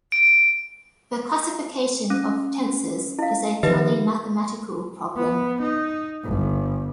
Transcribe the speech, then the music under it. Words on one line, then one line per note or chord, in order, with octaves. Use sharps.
The classification of tensors is a purely mathematical problem.
D7
C#4
E4 F5
D#3 F3 D#4 G4 B4 E5
B3
D#4
G1